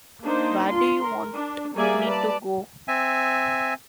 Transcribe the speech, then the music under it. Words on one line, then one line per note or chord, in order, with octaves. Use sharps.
Where do you want me to go?
A#3 D4 D#4 C5
F4 C6
A#4
D4
G3 A#3 G#4 D5 E5 G#5
B4 D5 A5
C4 E5 G#5